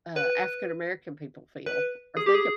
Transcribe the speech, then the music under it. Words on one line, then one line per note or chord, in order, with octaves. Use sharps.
uh, African American people feel or think
B4
B4
G#4
G4
G#4